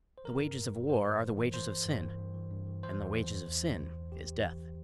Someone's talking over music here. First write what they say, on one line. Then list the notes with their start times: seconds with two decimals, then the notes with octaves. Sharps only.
The wages of war are the wages of sin, and the "wages of sin is death."
0.18 C5
0.24 E3 A#4
0.41 G2
0.56 G2
0.73 G2
0.89 G2 C5
1.05 G2
1.22 E3
1.37 E3
1.54 E3 C5
1.70 E3
1.86 G2
2.02 E3
2.19 G2
2.35 E3
2.51 G2
2.67 E3
2.83 E3 C5
2.99 E2
3.16 E3
3.30 E3
3.48 E2
3.63 E2
3.79 E2
3.95 E3
4.12 E2 G4
4.27 E2
4.44 E3